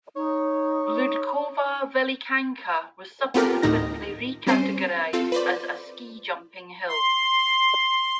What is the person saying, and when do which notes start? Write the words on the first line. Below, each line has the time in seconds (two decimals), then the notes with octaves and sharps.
"Bloudkova velikanka" was subsequently recategorised as a ski jumping hill.
0.15 D#4 C#5
3.34 B3 C4 F4 G4 A4 A#4
3.62 D2 A2 D#3 D#4 A#6
4.47 G3 C4 C#4 C5 C7 D#7
5.13 C4 F4 A4
5.32 B4 C5 D5
6.89 C6